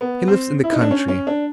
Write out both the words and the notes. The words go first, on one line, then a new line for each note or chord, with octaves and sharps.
He lives in the country.
B3
C4
E4
D#4
D4
C#4
C#4
D4